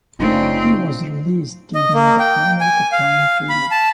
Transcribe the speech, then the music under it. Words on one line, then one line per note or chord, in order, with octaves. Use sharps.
He was released during the final cutdown period.
F#1 C#3 A3 C4 D4 D#4 F4
D#5
A#3
G5
G#5
F5
B5
A5